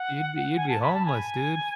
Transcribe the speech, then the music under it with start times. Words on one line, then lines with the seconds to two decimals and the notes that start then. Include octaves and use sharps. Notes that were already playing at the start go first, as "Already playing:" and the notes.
You'd be you'd be homeless, dude.
Already playing: F#5
0.56 G#5
0.69 A5
0.81 B5
0.94 A5
1.05 G#5